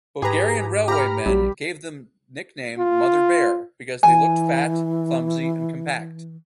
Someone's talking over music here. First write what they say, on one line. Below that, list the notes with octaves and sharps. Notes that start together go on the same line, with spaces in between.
Bulgarian railwaymen gave them nickname "Mother Bear" because they looked fat, clumsy and compact.
G#2 G4 G#4 B4 A#5
G4 A#5 B5 F6
A#1 F#3 G3
F4
E3 G#5